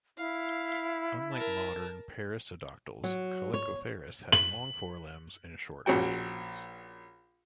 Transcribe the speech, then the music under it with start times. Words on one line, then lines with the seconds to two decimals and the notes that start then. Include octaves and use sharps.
Unlike modern perissodactyls, chalicotheres had long forelimbs and short hind limbs.
0.18 E4 F5
1.32 A#4 A5
3.04 F#3
3.54 C#5
4.32 F#7
5.86 A#1 C#4 F#4 G5